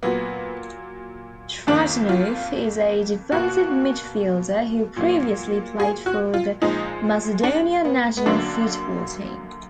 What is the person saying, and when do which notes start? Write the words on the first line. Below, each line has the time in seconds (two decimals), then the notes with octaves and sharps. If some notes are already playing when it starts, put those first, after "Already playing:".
Trajanov is a defensive midfielder who previously played for the Macedonia national football team.
0.03 A#2 F#3 A#3 B3
1.67 F2 D#3 A#3 D4
2.09 F4
3.32 B2 A#3 F#4
4.96 A#2 F#3 A#3
5.80 G#4
6.06 F#4
6.34 F4
6.62 A#2 F3 G#3 D#4
7.43 D4
7.85 B3
8.17 B3
8.26 F#2 D3 F#3 A#3 D4